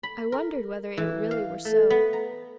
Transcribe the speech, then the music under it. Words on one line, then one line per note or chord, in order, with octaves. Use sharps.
I wondered whether it really were so.
B5
A#4
E3
F5
A3
B3
A#5